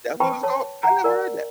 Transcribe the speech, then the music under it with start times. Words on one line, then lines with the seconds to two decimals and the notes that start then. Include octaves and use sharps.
That's what it was called? I never heard that.
0.20 B4 E5 G5 A5 B5 C#6
0.43 C#5 A5
0.83 F#5 A#5
1.04 A#4 D5 G#5